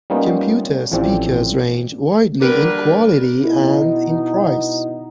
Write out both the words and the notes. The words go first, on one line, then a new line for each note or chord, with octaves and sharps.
Computer speakers range widely in quality and in price.
G3 A#3 B3 C#4 D#4 F4
A1 A2 F3 C4 G4 D5
D3 G3 A#3 A#4 B4
B2 D#4 E4